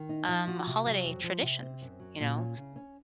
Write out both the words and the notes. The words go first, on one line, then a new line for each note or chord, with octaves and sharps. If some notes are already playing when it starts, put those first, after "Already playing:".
um, holiday traditions, you know?
Already playing: D#3
D#4
F3
F#4
C3
F#3
F2
F3
C3
C4
F#2
F#3
A#2
C#4
C#3
C#4